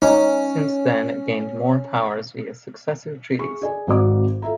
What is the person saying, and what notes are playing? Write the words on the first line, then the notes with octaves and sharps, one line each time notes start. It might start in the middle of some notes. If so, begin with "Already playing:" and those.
Since then it gained more powers via successive treaties.
C#4 D#4
G#4 C#6
G#4 D5 G#5
G#1 G#2 C4 F#4 D5 D6
F4 A4 E5 A#5